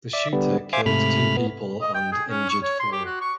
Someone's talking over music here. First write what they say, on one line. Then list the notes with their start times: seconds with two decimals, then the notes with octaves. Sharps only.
The shooter killed two people and injured four.
0.13 D5 E5
0.33 D3 G3 B3
0.73 C5 E5 F5 G#5 D6
0.86 G#2 C3 A3 B5 F6
1.37 B3
1.81 D#5
1.95 G5
2.12 G#4
2.29 C#4
2.49 C#6
2.63 C#5
2.80 C6
2.92 G4
3.05 F#4
3.21 C#6